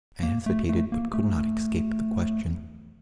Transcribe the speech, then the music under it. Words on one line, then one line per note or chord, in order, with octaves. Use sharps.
I hesitated but could not escape the question.
A#3
A3
A3
A#3
A3